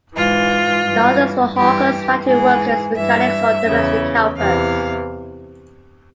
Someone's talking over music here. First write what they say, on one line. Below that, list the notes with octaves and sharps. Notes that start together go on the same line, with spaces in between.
The others were hawkers, factory workers, mechanics or domestic helpers.
G#2 E3 F4
G2 E3
G2 E3 G4
G#2 E3 G#4
G2 E3 E5
E2 C#3 E3
E2 C3 E3 F5